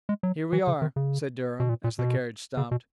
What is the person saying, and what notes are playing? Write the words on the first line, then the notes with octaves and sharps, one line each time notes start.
"Here we are," said Durham, as the carriage stopped.
G#3
F#3
E3
C#3
D#3
C#3
B2
A#2
A#2
B2
C#3
B2